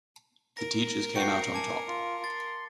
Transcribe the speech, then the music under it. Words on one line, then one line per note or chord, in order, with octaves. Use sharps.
The teachers came out on top.
A#4 A#6
F#4 G5 C7 C#7
G#5 A5 D6
F4
C6 A6